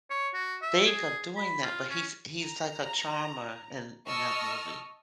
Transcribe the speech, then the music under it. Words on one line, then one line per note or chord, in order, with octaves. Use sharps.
think of doing that?" But he's he's like a charmer in in that movie.
C#5
F#4
E5
G#4
B5
F4
C#4
A#5
D#5 A5 C#6 E6 F6